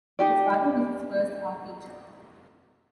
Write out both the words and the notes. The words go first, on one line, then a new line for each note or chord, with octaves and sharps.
His father was his first art teacher.
D#4 G4 D5